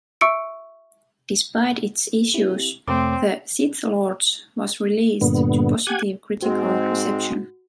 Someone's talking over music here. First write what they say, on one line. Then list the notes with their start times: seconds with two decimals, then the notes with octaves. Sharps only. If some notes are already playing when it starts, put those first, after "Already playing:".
Despite its issues, "The Sith Lords" was released to positive critical reception.
0.21 E5 C#6 E6 C#7 D7
2.34 C4 E4 G4
2.88 F2 C3 A3 C4 C#5 D6
5.21 G2 A#2 D3 B3
5.87 G4 F#5 G#5 G#6
6.42 G#2 G#3 C4 F#4